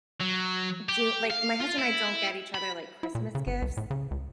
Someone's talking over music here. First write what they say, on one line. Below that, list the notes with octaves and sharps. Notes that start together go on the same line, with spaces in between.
do like, my husband and I don't get each other, like, Christmas gifts.
F#3
G4
F5
F4
E4
B5
E4
A#2
C#3
G1
C2
A2
C#3
C#2